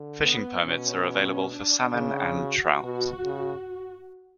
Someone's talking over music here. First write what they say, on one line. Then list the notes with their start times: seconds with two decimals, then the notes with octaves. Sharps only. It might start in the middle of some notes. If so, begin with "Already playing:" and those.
Fishing permits are available for salmon and trout.
Already playing: D3
0.23 B3
0.65 B2 C#4
1.52 D4
1.94 C#3
2.38 F#4
2.81 B2
3.24 C#3